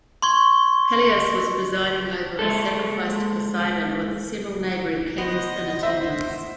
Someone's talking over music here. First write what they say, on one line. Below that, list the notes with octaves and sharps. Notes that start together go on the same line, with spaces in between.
Pelias was presiding over a sacrifice to Poseidon with several neighboring kings in attendance.
C6 C#6 G#6 G7
G#3 A4
B3 C5 D#5
C5 E5